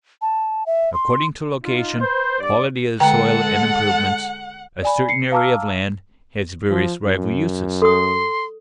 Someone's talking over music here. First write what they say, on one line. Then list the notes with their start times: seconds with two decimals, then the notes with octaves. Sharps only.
According to location, quality of the soil, and improvements, a certain area of land has various rival uses.
0.22 A5
0.66 E5
0.94 C6
1.64 D#4 F4
2.01 B4 C5
2.39 G2 D5
3.00 D3 G#3 A4 F#5 G5 A#5
4.83 D5 G#5 B5
5.09 C7 C#7
5.32 F5 A5 A#5 D6 E6 F6
6.70 F3
7.05 F#2
7.82 A4 C6 D#6